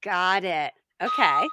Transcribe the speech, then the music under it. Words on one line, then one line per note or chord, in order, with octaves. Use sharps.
Got it, okay.
D#6